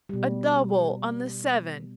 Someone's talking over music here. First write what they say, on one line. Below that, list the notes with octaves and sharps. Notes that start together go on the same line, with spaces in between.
"A 'double' on the seven!"
B2 G3